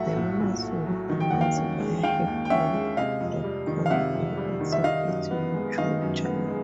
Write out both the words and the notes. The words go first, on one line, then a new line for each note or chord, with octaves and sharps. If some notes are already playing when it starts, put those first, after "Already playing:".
The winners will announced via Heatworld dot com and also its YouTube Channel.
Already playing: A#1 A2 F#3 A3 E5 F#5
A2
A#1
A3
F#3
D#3
G5
D#2 F#5
F5 G5
C#4
G#3
D#3 F5 G5
D#2
G5
C#4 E5 F#5
G#3
C3 D#5 F5
F2
G3
D#3
F5
C3 E5 F#5
F2
G3
D#3
E5
D#3 D#5 F5
F#2
B3
G#3
D#3 D#5 F5
F#2
B3
G#3